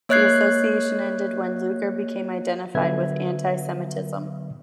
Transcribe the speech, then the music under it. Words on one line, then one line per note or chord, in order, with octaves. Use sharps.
The association ended when Lueger became identified with anti-semitism.
A#3 C#5 D#5 F#6 G#6 C7
D3 F#3 B3 B4 E5 G#6